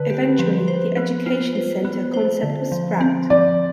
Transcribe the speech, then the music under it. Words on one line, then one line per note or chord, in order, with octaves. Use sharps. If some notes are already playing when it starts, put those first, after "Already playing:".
Eventually the "Education Center" concept was scrapped.
Already playing: D3 B4
G4
F3
C5
B3
F4
C5
B3
C5
D3
F3
C4
F3 D5